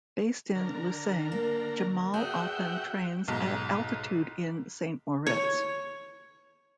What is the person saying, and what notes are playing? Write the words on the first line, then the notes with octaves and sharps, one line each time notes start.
Based in Lausanne, Jamal often trains at altitude in Saint Moritz.
D3 A#4
A#3
E2 F#4 G#4 E5 G5
B1 G#2
C#5